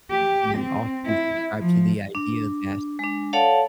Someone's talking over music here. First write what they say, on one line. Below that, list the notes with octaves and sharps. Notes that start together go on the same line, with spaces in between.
we often subscribe to the idea that,
G4
C4
E4
F3
D4
G#3 D4
A4 C#5 D5 F5 F#5 A5